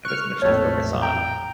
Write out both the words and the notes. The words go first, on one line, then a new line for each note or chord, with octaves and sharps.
have as much to focus on.
C#6 F6 F#6
A#1 F2 A2 A3 C#5
G5 A#5